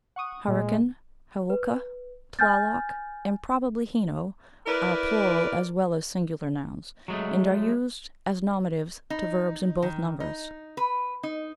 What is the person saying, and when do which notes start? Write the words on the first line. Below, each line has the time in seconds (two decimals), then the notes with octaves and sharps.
Hurakan, Haokah, Tlaloc, and probably Heno, are plural as well as singular nouns, and are used as nominatives to verbs in both numbers.
0.16 F#5 C#6 D#6
0.48 A#2 G#3
1.50 B4
2.39 G#5 F6 G6 A6
4.66 E4 A#4 B4 D5
7.08 F#3 G#3 A3
9.10 D#4
9.82 D#3
10.20 D#4
10.77 B4
11.23 D#4